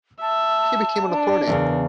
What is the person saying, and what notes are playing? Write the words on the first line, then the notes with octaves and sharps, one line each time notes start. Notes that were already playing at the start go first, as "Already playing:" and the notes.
He became an attorney.
E5 A5
D4
E2 A2 C#3 A#4